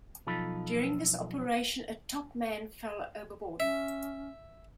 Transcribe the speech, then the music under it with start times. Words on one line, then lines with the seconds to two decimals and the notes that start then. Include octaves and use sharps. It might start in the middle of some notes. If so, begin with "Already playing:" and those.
During this operation, a topman fell overboard.
0.27 B1 F3 D#4 F4 A4 B5
3.60 C#4 E5